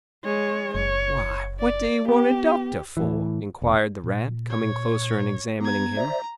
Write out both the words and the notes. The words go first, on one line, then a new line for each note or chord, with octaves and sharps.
'Why, what do you want a doctor for?' inquired the Rat, coming closer and examining him.
G#3 C#5
F#1 C#5
D5
B3 G4
A2 E3
E1
A#2
C#5
B3 A#5 G#6
C5 D5 E5 A#5